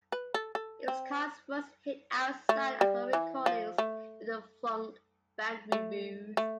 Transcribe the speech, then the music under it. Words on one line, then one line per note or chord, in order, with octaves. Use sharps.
It was Khan's first hit outside of her recordings with the funk band Rufus.
B4
A4
A4
C4
A3
G3
E3
F3
A3
A3
A3